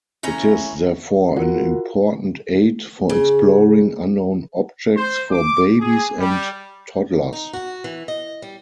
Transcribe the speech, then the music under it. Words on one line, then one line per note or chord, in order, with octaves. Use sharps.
It is therefore an important aid for exploring unknown objects for babies and toddlers.
A2 E3 C#4 A#5
F4 F#4 A#4 F#5
C#3
C5
D6
G#4
G3
D#4
F#4
E3
D#5
G3